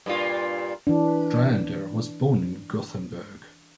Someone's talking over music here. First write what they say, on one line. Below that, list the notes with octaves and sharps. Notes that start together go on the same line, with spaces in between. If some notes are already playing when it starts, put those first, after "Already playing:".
Dryander was born in Gothenburg.
G2 A#2 F4
E3 D4